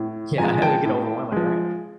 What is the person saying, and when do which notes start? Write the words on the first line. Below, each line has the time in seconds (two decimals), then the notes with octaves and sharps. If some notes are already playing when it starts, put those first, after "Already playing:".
Yeah, it would get overwhelming, right?
Already playing: A2
0.38 F3 G#5 A#5
0.42 G#3
0.62 G5 A5
0.85 A2
1.32 F3 G#3